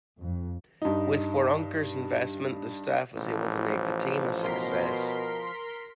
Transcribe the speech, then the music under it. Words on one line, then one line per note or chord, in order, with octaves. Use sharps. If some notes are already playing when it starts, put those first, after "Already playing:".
With Waronker's investment, the staff was able to make the team a success.
F2
G2 D#4
A1 F3
B2 A#4 C6 B6